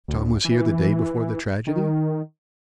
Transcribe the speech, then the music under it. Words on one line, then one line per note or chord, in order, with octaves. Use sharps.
"Tom was here the day before the tragedy?"
D2
E3
D#3